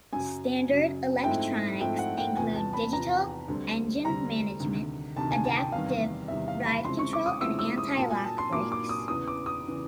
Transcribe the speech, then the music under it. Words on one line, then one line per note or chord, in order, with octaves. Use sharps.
Standard electronics included digital engine management, adaptive ride control and anti-lock brakes.
F#2 C#3 F#3 G#5
F#2 C#3 F#3
G#2 F3 A3 C4 E4 G5
G#2 F3 A3 C4 E4 G5
F#5
G5
E2 C3 F3 G#5
A5
B5
E2 C3 F3 A#5
D2 D3 G3 C4
D2 D3 G3 C4 A#5
D2 C3 D#3
D2 C3 D#3 A5
G#5
A5
G5
E2 C3 D#3 G3 F5
E2 C3 D#3 G3 E5
F5
B5
C#3 F3 G#3 C4 E4 C6
C#6
D6
D#6
C#3 F3 G#3 C4 E4 E6
E6
D#6
A#2 F#3 A#3 A5
G#5
A5
C6
A#2 F#3 A#3 D6
D6
D#6
E2 C#3 E3 D#6
D6
D#6
C#3 E3